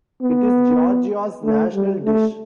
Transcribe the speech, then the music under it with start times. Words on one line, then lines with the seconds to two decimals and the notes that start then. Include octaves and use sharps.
It is Georgia's national dish.
0.22 B3
1.44 A3
1.74 G3
2.04 A3